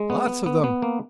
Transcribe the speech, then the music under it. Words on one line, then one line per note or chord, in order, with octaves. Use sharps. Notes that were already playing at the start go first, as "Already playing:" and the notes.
Lots of them.
Already playing: G#3
B3
B3
B3
B3
A#3